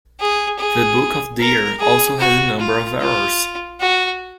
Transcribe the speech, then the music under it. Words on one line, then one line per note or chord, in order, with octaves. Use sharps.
The Book of Deer also has a number of errors.
G#4
G#4
A#4
G#4
F#4
F4
F4
F#4